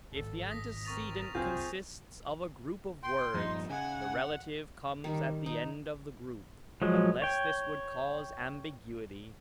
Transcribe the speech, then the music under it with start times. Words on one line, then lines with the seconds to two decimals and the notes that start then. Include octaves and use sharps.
If the antecedent consists of a group of words, the relative comes at the end of the group, unless this would cause ambiguity.
0.12 G#1 A2 A4
0.51 D#6 A#6 B6
0.85 C4 A#4 C#6 A6 F7
1.35 F#1 C2 C4 F4 G#4 G6
3.03 G5 C6
3.34 G2 A#2 F3 D#4
3.70 C#3 F#5 G#5
5.04 D#3 G3
5.46 D#4
6.82 F3 F#3 G#3
7.22 C#5 G5